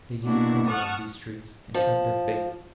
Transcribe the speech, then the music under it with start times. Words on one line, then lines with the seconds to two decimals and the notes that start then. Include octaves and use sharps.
They gained cover of these trees, and turned at bay.
0.22 B2 A#3 D4 E4 F#4
0.67 F#5 A5 C#6 D#6 F6 F#6
1.74 F3